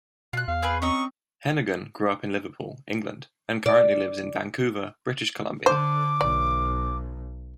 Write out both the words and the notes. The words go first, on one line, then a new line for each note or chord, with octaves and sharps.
Heneghan grew up Liverpool, England, and currently lives in Vancouver, British Columbia.
B2 F4 F#6
E2 F5
C4 G#4 B4
C4 C#4 D#5 A#5 C#6
D5
D3 C5 D6
B1 D5